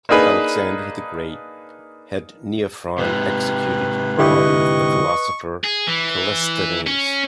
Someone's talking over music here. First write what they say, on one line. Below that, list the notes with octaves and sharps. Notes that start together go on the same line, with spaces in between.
Alexander the Great had Neophron executed along with the philosopher Callisthenes.
A#3 D4 D#4 G#4 B4
G#2 C3 B4
D3 E4 G4 D#5 C#6
G#4
E3
C#4